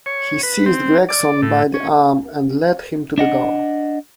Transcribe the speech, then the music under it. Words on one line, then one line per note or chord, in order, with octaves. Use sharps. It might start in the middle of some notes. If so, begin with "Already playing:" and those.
He seized Gregson by the arm and led him to the door.
C#5
B4
C4
D5
A2
C#4
D4 D#5 F#5